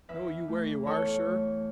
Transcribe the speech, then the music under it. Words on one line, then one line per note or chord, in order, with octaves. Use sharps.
Know you where you are, sir?
E2 B4 E5
E3 A3
E2 A4 C#5
E3 A3